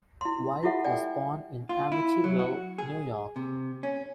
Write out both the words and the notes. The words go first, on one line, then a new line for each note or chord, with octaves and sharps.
White was born in Amityville, New York.
E4 C6
E4 F4 G4 A4 E5 F#5
D5 G5 G#5
F4
E4
F#3
F#4
G#4
C3
C#4